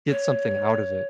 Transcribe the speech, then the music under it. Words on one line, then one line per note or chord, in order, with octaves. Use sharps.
get something out of it,
C#5